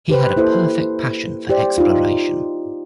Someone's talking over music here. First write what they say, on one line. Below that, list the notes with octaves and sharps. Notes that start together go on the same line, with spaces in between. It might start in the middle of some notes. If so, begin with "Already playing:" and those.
He had a perfect passion for exploration.
G4 B4 C5
A#3 E4 A4 C5
G4 C5 D5
D#4 F4